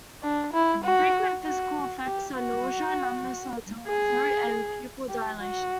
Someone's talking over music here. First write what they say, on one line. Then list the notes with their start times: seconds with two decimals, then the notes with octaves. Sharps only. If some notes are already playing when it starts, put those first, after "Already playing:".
Frequent physical effects are nausea, numbness of the tongue or throat, and pupil dilation.
0.23 D4
0.53 E4
0.84 F#4
1.44 F#4
2.05 G4
2.36 F#4
3.87 G#4
5.09 G4
5.39 F#4